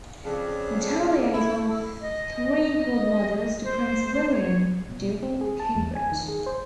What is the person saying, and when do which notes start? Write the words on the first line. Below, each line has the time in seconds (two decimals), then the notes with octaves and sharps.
Natalia is one of three godmothers to Prince William, Duke of Cambridge.
0.24 F2 C#3 G#4 D5
1.34 E4 A4
2.02 D#5
2.65 D#5
3.65 C5
4.31 C#5
4.89 B2
5.23 C4
5.41 G#4
5.60 A5
5.76 E2
5.95 G#5
6.12 D#3
6.28 G#4
6.46 C5